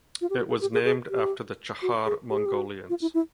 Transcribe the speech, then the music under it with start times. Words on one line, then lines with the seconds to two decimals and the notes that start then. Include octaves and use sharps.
It was named after the Chahar Mongolians.
0.21 F4
0.30 G4
0.37 F#4
0.49 G#4
0.61 G4
0.74 G#4
0.85 G#4
1.09 G4
1.82 F#4
2.06 G#4
2.30 G4
2.38 G#4
2.46 G4
2.54 F#4
2.90 F4
3.02 E4
3.14 E4